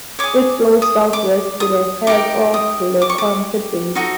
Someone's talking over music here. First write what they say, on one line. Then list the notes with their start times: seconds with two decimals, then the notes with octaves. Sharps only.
It flows southwest to the head of LeConte Bay.
0.19 G#4 C#5 D6
0.82 D#6
1.13 D6
1.60 D#6
2.07 D#4 G4 A#4 D6
2.54 D#6
3.02 D6
3.09 C#6
3.18 D6
3.95 D#4 F#4 A4